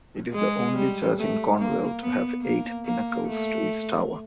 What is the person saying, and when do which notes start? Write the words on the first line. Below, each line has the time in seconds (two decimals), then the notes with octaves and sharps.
It is the only church in Cornwall to have eight pinnacles to its tower.
0.33 G#3
0.75 G3
1.17 A3
1.58 A#3
2.00 B3
2.42 A#3
2.85 A#3
3.26 A3